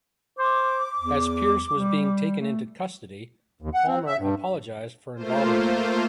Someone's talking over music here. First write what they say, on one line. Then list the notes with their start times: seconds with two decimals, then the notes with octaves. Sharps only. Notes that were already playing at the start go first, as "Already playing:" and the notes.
As Pierce was being taken into custody, Palmer apologized for involving him.
0.39 C5 D6
0.99 E2
1.74 G3
2.39 A3
3.62 D#2
3.74 F#5
3.88 C4
4.07 E5
4.19 G2
5.16 A3 A#3 F4 C5